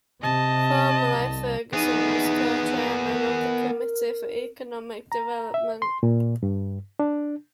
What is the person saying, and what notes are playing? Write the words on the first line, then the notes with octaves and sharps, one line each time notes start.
Formerly, Ferguson was Co-Chairman of the Committee for Economic Development.
C3 D#5 A5
C2
B3 D#4 G#4
A#4
A#5
E5
C6
A#2
G2
D4